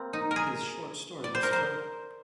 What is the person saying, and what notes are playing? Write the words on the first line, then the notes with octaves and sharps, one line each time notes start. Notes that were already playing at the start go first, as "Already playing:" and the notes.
His short story Lucifer!
Already playing: A#3 C4
D#4
A#4
G#4
D5
C5
A#4
C5